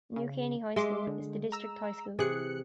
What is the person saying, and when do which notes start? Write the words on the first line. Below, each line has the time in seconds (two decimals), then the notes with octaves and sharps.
New Caney High School is the district high school.
0.16 C#3
0.76 G#3 E5 C6 D6
1.07 D3
1.52 A#5 E6
2.19 C3 E3 G#4 F#6 C#7